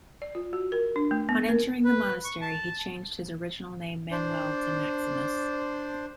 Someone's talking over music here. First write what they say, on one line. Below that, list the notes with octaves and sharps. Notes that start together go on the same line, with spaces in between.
On entering the monastery he changed his original name Manuel to Maximus.
D5
F4
F#4
A#4
D4
A3
B3
A#4
B4
C#6
A5
D4 C5